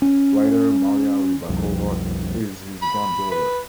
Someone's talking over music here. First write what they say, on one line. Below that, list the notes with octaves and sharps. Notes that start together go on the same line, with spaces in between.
Writer Maria Rybakova is his granddaughter.
C#4
B1 F2 G3
B5
B4